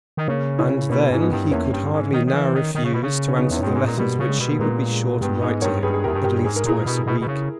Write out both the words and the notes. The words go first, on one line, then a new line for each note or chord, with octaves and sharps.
And then he could hardly now refuse to answer the letters which she would be sure to write to him, at least twice a week.
D#3
C#3 A#3 C#4
C#4 E4
B2 A#3 C#4
G#2 E4
B3 D#4
G2
E2 A#3 C#4
G2
G#2
D#3
D#3
E3
D#3
D#3
C#3
B2
C#3
C#4
B3 D#4
E2
G2 C#4
G#3 B3
G#2
A#2
B2 G3 A#3
C#3
G#3
B2
A#3
A#2 G#3 B3
G2 G#3 B3
G#2 B3 D#4
G2 A#4 C#5
G2 G#4 B4
G#4
E2 G4 A#4
G2
G4 A#4
G#2 G#4
A#4
A#2 E4 G#4
B2
B2
B2
C#3